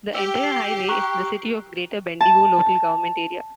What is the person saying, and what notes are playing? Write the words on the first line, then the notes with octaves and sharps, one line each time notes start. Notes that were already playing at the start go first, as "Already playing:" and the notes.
The entire highway is in the City of Greater Bendigo local government area.
G4 E6
C7
A#5 C#6 F#6
A5